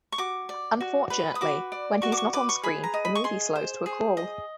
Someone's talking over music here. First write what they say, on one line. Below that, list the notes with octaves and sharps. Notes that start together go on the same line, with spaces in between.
Unfortunately, when he's not on screen, the movie slows to a crawl.
C#6
F#4 D6
D5
F#4
B4
D#6
F#4 D6
D5
F#4 C#6
D6
C#6
B4 D6
C#6
G#4 B5
A#5
D#5
B5
C#6
G#4 C6
C5
G#4
D#5